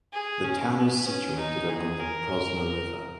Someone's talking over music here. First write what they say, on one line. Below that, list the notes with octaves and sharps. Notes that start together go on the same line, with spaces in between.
The town is situated along the Prosna river.
G#4
C#4
B3
C#4
D#4
G#4
A#4